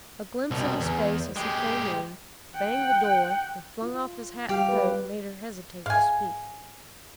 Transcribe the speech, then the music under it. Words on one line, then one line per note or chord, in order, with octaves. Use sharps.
A glimpse of his face as he came in, banged the door, and flung off his hat and coat made her hesitate to speak.
C2 B2
E2
G#3 G4
F#5 G5
F4
G3 G4 F5
B4
G#2 E5 F5 G#5